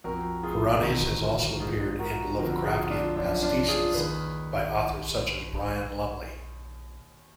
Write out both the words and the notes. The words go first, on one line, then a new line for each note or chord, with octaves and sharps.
Kuranes has also appeared in Lovecraftian pastiches by authors such as Brian Lumley.
F2 F3 F#4 A#4
F4 G#4
G#4
D#2 D3 F3 D#4 F#4
F#4 A#4
G#2 F3 F4 G#4
F#4 A#4
F2 D3 F3 F#4 A#4
F4 G#4
D4 F4
F#2 F3 D4
D4 F4
F4 G#4
D#2 D#3 G#4 B4